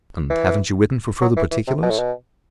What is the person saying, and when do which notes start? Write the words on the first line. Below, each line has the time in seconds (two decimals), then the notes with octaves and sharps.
"And haven't you written for further particulars?"
0.30 E3
1.21 F#3
1.36 E3
1.51 E3
1.67 C3
1.82 B2
1.90 A2
1.99 B2